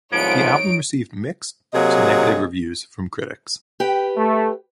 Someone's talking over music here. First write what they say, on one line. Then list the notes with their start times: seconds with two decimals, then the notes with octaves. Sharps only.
The album received mixed to negative reviews from critics.
0.12 C2 G#2 F3 B3 D#4 C#5 D7
1.74 C3 F#3 A#3 G#4 D#5
3.80 G4 B4 G5
4.15 A3